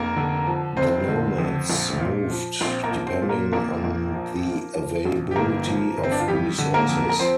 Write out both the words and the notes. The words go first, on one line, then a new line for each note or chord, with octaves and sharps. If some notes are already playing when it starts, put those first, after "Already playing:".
The nomads moved depending on the availability of resources.
Already playing: F1 A#3 A#4
D3
F3
F1 C4 C5
D3
F2
A#1
A#2
F3
A#1 C4 C5
A#3 A#4
F3
C4 C5
A#2
A#3 A#4
A#1 A#3 A#4
A#1
F3
F3
F3
A#1
G4
G1 A#3 A#4
F3
G1
C4
D4
F4
F2 G3 G4
D3
A#3 A#4
F2
A#4
F3 C4 C5